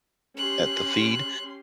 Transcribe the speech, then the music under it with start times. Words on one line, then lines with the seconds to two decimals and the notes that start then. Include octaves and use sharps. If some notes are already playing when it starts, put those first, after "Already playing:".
a at the feed,
0.37 C#4 G4 C6 F#6